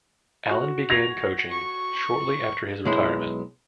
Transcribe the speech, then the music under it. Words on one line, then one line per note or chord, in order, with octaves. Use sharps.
Allen began coaching shortly after his retirement.
F#4
G#6 A#6 F7
C#6
B1 G#3 E4